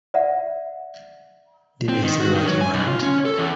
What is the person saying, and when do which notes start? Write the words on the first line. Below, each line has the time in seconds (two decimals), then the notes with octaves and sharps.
Divya is still working on it.
0.14 D5 E5 F#5
1.89 C4
2.04 D#3
2.20 F#4
2.34 D#3
2.47 F#3
2.61 G#5
2.73 B1
2.87 F4
3.03 C#4
3.25 A4
3.38 E2